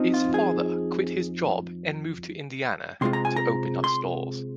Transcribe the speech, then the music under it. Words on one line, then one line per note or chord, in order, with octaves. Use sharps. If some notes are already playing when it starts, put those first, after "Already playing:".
His father quit his job and moved to Indiana to open up stores.
Already playing: F2 F3 C4 D#4
F4
G#4
C3 G#3 C4 F4 C6
A#5
G#5
A#5
C6